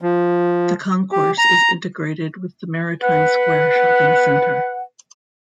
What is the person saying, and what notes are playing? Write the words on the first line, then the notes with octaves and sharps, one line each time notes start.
The concourse is integrated with the Maritime Square shopping centre.
F3
G4
A#5
B4 F#5